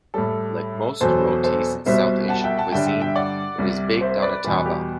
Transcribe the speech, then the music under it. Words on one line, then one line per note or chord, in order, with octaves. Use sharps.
Like most rotis in South Asian cuisine, it is baked on a "tava".
A2 G3 A4
E2 B2 F#3 A4 C5
A4 C5
C2 B2 G3 C5 E5
F#5 A5
E5 G5
F#5 A5
G2 D3 G3 E5 G5
E5 G5
E5 G5
D5 F#5
C2 C3 G3
C5 E5
B4 D5
E2 B2 G3 G4 B4
G4